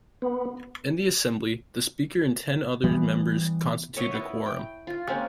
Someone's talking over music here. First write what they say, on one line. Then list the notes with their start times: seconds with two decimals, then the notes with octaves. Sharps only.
In the Assembly, the Speaker and ten other members constitute a quorum.
0.22 B3
2.84 E3 G3 B3
3.97 C#5 D#5 E5 F#5
4.14 B3 E4
4.46 G5
4.87 F4
5.08 G#3 A#3 C4 C#4